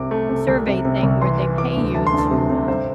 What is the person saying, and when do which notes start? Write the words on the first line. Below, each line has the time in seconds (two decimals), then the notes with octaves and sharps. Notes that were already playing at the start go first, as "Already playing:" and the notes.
survey thing where they pay you to, uh,
Already playing: C2 C3 D6
0.11 A3
0.29 C3
0.48 C2
0.67 C3
0.85 C3
1.03 C2
1.21 E3 C6
1.40 E3
1.58 E3 D6
1.76 D2
1.94 E3 A5
2.07 C6
2.13 D2
2.18 A5
2.31 C3
2.50 C3
2.68 G2 C5